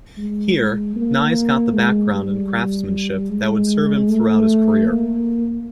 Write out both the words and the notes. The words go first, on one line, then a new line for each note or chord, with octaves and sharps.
Here Nys got the background and craftmanship that would serve him throughout his career.
G#3
G#3
A#3
G#3
G3
G#3
A3
A#3